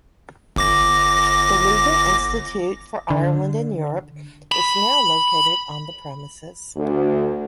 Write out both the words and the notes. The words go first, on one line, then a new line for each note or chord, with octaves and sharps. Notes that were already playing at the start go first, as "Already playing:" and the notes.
The Leuven Institute for Ireland in Europe is now located on the premises.
G1 D6 A#6
D3
B5
D2